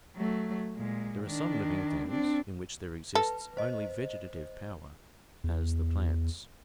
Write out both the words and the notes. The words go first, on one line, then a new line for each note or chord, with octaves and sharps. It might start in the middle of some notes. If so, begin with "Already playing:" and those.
There are some living things in which there exists only vegetative power, as the plants.
F#3 A3
A#2 G#3
D#3 D4
C4 D4
A4 B4
C5 D#5
E2